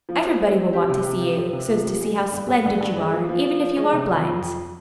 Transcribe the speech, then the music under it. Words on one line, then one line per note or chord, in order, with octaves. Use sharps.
Everybody will want to see you, so's to see how splendid you are, even if you are blind.
F3
C4
C4
C4
G4
C3
G4
F3
C4
C3
F3
G4
G#3
G2
G2
G2
G2
G2
G#3
F3
F3
F3
F3
G#3
C3
F2
F2
F2